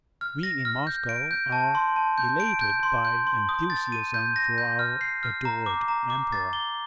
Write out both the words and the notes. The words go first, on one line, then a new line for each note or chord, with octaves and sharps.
We in Moscow are elated by enthusiasm for our adored Emperor.
F6
A#6
F6
G6
D7
G6
A5
C6
A5
G6
D7
G6
C6
G6
C6
D#6
A6
D#7
G6
A#6
G6
F6
C7
F6
A#5
D6
A#5
D6
A6
G7